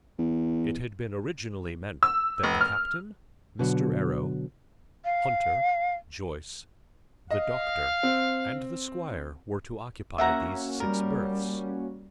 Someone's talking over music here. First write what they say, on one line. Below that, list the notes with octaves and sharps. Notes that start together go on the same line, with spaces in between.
It had been originally meant that the captain, Mr. Arrow, Hunter, Joyce, the doctor, and the squire were to occupy these six berths.
E2
E6
F1
F6
B2 D3 F#3
F5
D#5 F5
C4
A#3 C#4 F#4 E5 F#5 A#5
G3 A#4